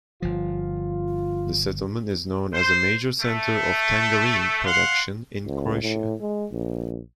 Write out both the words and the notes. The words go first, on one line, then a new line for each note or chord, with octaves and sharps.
This settlement is known as a major center of tangerine production in Croatia.
G1 F3 F4
C5
A3
F5 F#5 C6
C#2
A2
G#3
A#1